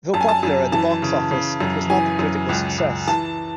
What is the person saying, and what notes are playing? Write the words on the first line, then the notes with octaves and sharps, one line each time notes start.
Though popular at the box office, it was not a critical success.
F#2 A5
G#5
A5
F#2
E3 A5
C#3
C#3
F#2
E3 G#5
F#2
C#2
C#2
E3 A5